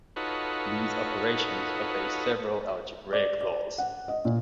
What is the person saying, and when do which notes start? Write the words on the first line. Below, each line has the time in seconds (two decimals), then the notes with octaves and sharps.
These operations obey several algebraic laws.
0.16 D#4 F4 F#4 A4 B4 C#5
3.13 D5
3.41 D5
3.78 F#5
4.08 D#5
4.25 A#2